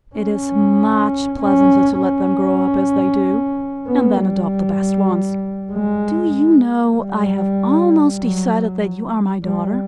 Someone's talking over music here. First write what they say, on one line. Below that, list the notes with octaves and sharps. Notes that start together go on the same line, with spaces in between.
It is much pleasanter to let them grow up as they do and then adopt the best ones. Do you know, I have almost decided that you are my daughter?
C#4
C#4
C#4
B3
G3
G#3
G3
F#3
G3